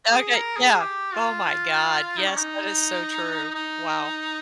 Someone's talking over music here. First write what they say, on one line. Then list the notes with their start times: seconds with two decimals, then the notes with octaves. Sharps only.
Okay. Yeah. Oh my god. Yes, that is so true. Wow.
0.11 G#4
0.34 A#4
0.56 G#4
0.80 G4
1.14 F4
2.17 D#4
2.28 C#4
2.37 D#4
3.55 D#4